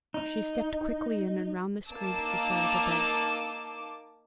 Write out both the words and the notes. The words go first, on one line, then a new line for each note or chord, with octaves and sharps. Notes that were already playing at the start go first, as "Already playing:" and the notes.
She stepped quickly in, and round the screen to the side of the bed.
D#4
A#3 D#4 A5 D6 E6